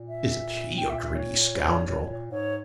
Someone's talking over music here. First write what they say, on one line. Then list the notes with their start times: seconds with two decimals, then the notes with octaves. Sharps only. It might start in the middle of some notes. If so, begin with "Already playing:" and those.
Isn't he a greedy scoundrel?
Already playing: A#2
0.09 E5
0.77 G5
0.90 E5
1.03 E5
1.15 C#5
1.79 G#2
1.88 A#2
1.96 G#2
2.01 B2
2.06 A#2
2.31 G#2 C#5